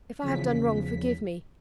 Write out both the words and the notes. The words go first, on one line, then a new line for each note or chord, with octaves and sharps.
If I have done wrong, forgive me.
E2 C#3 F3 B6